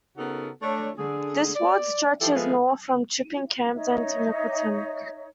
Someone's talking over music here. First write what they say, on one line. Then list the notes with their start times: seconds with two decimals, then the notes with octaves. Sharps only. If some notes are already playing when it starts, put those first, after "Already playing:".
This ward stretches north from "Chipping Campden" to Mickleton.
0.18 C#3 B3 D#4 F#4 A4 A#4
0.62 A3 D4 C#5
0.99 D3 G#4
1.55 D5
2.21 E3 F3 E4 G4 A4
2.34 F3 G#3 A3 B3 A4 F5
3.75 D#4 C#5 D#5 E5